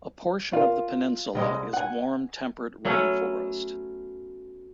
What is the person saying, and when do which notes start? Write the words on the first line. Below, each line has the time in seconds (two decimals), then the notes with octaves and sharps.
A portion of the peninsula is warm temperate rainforest.
0.53 F4 A#4 D5 F5
1.35 C2 G#3 D#5
1.73 F#5 G#5
2.85 F#3 A3 B3 C#4